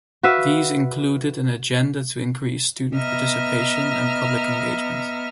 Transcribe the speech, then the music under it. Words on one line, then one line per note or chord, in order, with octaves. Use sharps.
These included an agenda to increase student participation and public engagement.
F#4 B4 E5 F5
B3 D#5 E5 A#5 F6